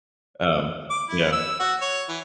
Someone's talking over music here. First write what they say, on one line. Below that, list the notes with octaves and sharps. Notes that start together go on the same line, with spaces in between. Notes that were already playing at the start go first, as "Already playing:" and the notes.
Um, yeah.
D6
E4
E6
F#4
C#5
E3